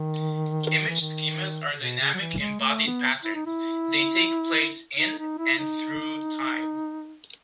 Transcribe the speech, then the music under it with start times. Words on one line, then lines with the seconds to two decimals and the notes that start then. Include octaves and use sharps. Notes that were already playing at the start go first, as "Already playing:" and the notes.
Image schemas are dynamic embodied patterns-they take place "in" and "through" time.
Already playing: D#3
0.89 E3
1.01 D#3
1.80 B2
2.00 C#3
2.14 F#3
2.20 E3
2.40 G#3
2.60 A3
2.86 B3
3.24 E4
3.35 D#4
3.46 E4
4.98 D#4
5.19 D#4
5.38 E4
5.58 D#4